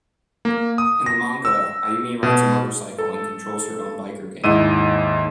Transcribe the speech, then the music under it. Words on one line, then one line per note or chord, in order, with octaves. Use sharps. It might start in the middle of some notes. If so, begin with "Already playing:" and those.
In the manga, Ayumi rides a motorcycle and controls her own biker gang.
A#3
D#6
A#6
E6
B2
A4
D#2 G#2 E4 D#5 E6 D#7